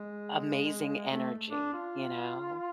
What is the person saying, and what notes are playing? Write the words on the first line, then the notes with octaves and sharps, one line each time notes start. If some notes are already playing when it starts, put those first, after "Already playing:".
amazing energy, you know?
Already playing: G#3
A3
D4
F4